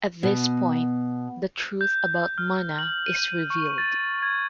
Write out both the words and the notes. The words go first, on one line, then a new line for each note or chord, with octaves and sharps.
At this point the truth about Munna is revealed.
B2
G6
F6
F#7
D#7
C#6
A6
G#6